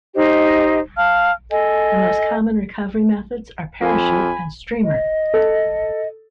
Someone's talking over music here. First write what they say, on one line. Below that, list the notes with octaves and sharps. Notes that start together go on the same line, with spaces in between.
The most common recovery methods are parachute and streamer.
D#4 G4 C5 D#5
F5 A5 F6
A4 D#5 G#5
F2 G#5 B5
D#5
A4